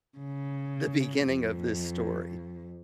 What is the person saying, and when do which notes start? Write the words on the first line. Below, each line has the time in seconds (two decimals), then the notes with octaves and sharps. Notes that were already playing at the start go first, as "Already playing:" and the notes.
the beginning of this story.
0.17 C#3
1.27 F2